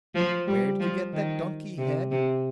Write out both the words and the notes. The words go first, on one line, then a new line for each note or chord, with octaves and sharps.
Where did you get that donkey head?
F3
G3
F3
D#3
C3
C3